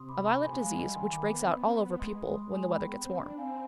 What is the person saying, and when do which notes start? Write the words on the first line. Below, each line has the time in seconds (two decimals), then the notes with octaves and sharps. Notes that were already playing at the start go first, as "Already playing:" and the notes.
A violent disease which breaks out all over people when the weather gets warm.
Already playing: C3 C6 D#6
0.09 B5 D6
0.26 B5 D6
0.44 G#5 C6
0.53 B3
0.61 G#3 F5 G#5
0.78 G3 D#5 G5
0.95 D#3 G#5 C6
1.13 D#3 B5 D6
1.30 B3
1.41 C4
1.52 B3
1.63 C4
1.74 B3
1.99 G#3 C6 D#6
2.34 C6 D#6
2.51 G#5 C6
2.68 G#3 G5 B5
2.86 B3
3.03 C4
3.20 D4
3.38 C4 F5 G#5